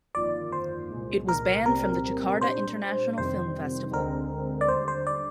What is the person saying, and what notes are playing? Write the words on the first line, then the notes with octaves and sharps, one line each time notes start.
It was banned from the Jakarta International Film Festival.
G1 F2 D#3 A#3 F4 D5
C5
C2 A#2 G#3
A#4
C2 A#2 G3 C4 A#4
A#2 G3 D4 C5
F2 C3 D#3 G3 C4 C5
D2 D3 G#3 C4 A#4
D5
D#2 D3 G3 C5
C5
D5